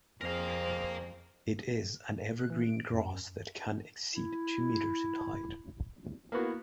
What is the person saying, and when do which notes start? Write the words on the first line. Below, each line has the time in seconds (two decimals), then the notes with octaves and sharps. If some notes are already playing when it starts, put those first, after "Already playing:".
It is an evergreen grass that can exceed two meters in height.
0.21 F2 C4 G#4 A#4 F5
2.39 F#6
2.50 E3
2.64 D7
2.93 F#2
4.15 E4
6.32 A#3 B3 E4 F#4